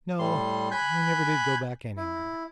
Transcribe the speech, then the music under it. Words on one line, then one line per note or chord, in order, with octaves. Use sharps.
No, we never did go back anywhere.
A2 G3 C6
G#5 B5 F#6 G6
E4